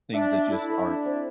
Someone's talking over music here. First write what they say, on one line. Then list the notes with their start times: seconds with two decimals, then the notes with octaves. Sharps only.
things that just aren't
0.14 D4 E5
0.32 E5
0.51 E4 A4
0.70 A4
0.88 D4 E4
1.05 C4